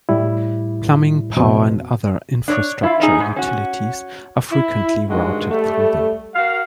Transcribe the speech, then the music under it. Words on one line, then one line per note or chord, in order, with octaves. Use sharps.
Plumbing, power, and other infrastructure utilities are frequently routed through them.
A2 G3 E4
F2 B2 C4
D4 C#5
E4 F4
C#4 D#4 G#4
G#2
C#4 F#4
E4
G2 D#3 E3 G#3 F#4
G3 A3
F#4 A#4 F5